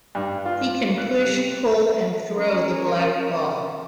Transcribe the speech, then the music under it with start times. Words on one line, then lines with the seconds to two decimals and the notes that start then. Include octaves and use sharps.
He can push, pull, and throw the black ball.
0.15 G2
0.45 F4
0.98 F#6
1.24 C3
2.37 C#4 A#4